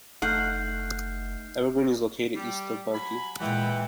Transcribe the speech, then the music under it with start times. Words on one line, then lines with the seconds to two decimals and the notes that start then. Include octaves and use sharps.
Evergreen is located east of Bunkie.
0.22 F#1 A3 D#4 A4 F#5 F6 G6 C7
2.35 G3
2.94 F#3 G#5 B5
3.39 A#2 E3 G#3 F#5 G5